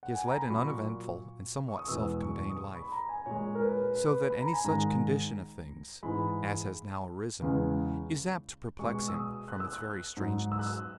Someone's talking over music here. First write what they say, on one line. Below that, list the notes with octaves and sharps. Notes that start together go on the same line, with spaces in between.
He has led an uneventful and somewhat self-contained life, so that any such condition of things as has now arisen is apt to perplex him from its very strangeness.
F#5
G#5
A#5
B5
A#2 F#3 C#6
C#6
D#6
E2 B2 G#3 E6
C#6
D#6
C#6
B5
A#5
G#5
A#2 G#3 C#5
A#4
B4
B4
B5
A#5
G#5
G#2 D#3 G#3 A#5
G#2 E3 G#3 B5
E2 C#3 G#3
B2 G#3 C#6
E6
D#6
F#6
E6
F#6
G#2 F#3
E6
F#6
E6